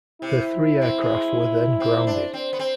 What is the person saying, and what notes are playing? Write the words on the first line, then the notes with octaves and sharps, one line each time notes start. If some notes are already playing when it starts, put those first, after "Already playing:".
The three aircraft were then grounded.
C3 E4
C4
G#3
C4
D4
C4
B3
C4